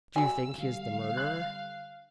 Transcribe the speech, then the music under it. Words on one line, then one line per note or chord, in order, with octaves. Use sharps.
"Do you think he is the murderer?"
F#3 G#5 E6
D3 G3 F5
F#6